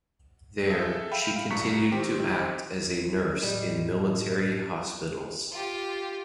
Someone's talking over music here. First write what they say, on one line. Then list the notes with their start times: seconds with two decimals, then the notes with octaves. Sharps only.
There, she continued to act as a nurse in military hospitals.
0.70 G#4 A4 E5
1.11 E5 F5 G5 B5
1.36 F5
1.50 C2 G2 A#5 C#6 B6 C#7
1.92 D#3 C4 G4
3.42 A2 F#3 G3 D#5
5.52 F4 G4